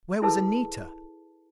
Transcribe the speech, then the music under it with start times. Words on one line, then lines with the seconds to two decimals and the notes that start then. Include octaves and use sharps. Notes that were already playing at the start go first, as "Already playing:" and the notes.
Where was Anita?
0.22 E4 G#4 A4 B4 A5 E6